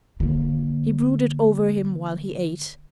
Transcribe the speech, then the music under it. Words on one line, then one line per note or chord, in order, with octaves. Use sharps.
He brooded over him while he ate.
D3 A#3